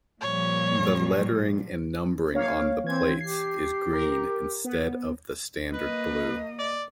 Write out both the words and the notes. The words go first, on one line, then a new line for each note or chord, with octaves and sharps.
The lettering and numbering on the plates is green instead of the standard blue.
A#2 F3 G3 C#5
A#3 C#5 F5
E3 C4 G#6
G4 C7
A#4
B3
A#3 B4 D#5
D5